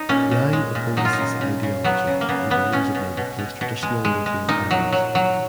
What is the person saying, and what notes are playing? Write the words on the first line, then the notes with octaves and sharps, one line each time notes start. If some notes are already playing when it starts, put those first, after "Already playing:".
Yang opposes this ideology and believes it may replace traditional liberal values.
Already playing: D#4
A#2 C#4
A#2
G#3
A#2
F#3 D#4
F4
D#4
C#3
C#3
C#3
F#3 B3
C#3
A#3
C#3 B3
C#3 B3
B2 C#4
B2
B2
B2
B2
G#3
G#3
G#3
A#2 D#4
F#3
F#3
F#3